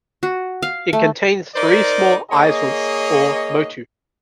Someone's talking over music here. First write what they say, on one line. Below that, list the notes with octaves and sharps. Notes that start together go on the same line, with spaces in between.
It contains three small islets or "motu".
F#4
F5
A3
D#4 A#4 C5 D5
A#3 G#4 C#5 D#5